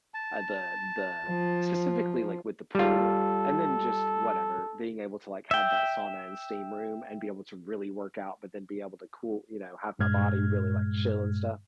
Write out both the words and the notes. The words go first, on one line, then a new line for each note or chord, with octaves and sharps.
uh, the the Specifically, like, with the pool and then just whatever, being able to, like, have that sauna and steam room, and be able to really work out but then be able to cool you know, have my body really, like, chill and stuff.
A5
F3
G3 F4 A4
E5 G5
G2 A#2 G#3 F6 G#6